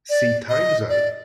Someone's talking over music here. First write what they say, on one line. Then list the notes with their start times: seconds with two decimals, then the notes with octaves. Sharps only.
See Time zone.
0.10 D5
0.49 D#5
0.89 D5